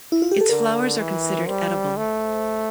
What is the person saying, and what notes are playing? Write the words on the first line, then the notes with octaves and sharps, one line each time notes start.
Its flowers are considered edible.
E4
F4
G4
A4
D3 A#4
E3
G3 C5
A3